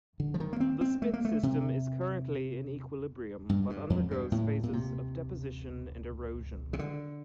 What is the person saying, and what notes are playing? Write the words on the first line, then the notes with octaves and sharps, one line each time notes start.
This spit system is currently in equilibrium but undergoes phases of deposition and erosion.
D3
F3
D#3
A#3
C4
C4
A3
A#3
A3
C3
G2
G2
F2
G2
A2
A#2
C3
C3
D3